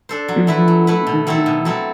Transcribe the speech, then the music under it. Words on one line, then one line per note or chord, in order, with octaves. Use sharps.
Mhm. Mhm.
D4 A4 C5
F#3
A3 E4 B4
F#3
A3 E4 B4
B2
F#3 C4 E4 A4
B2
F#3 C4 E4 A4